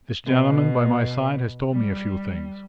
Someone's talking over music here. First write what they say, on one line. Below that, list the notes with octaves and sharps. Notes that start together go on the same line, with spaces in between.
This gentleman by my side has told me a few things.
B2
G3